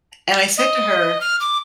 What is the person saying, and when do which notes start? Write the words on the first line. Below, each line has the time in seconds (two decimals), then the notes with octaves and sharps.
And I said to her,
0.58 D#5
1.21 F6
1.40 D6